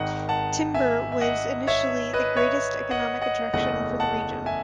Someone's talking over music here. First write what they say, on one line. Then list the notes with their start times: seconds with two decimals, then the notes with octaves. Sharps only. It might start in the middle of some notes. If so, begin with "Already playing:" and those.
Timber was initially the greatest economic attraction for the region.
Already playing: G#1 G#2 D#3 D#5 F#5
0.29 F#5 A5
0.74 E5 G#5
1.12 E5
1.21 D#5 F#5
1.67 C#5 E5
2.13 B4 D#5
2.37 C#5 E5
2.91 D#5 F#5
3.21 D#5 F#5
3.53 F#1 E2 C#3 E3 A3 D#5 F#5
4.00 F#5 A5
4.46 E5 G#5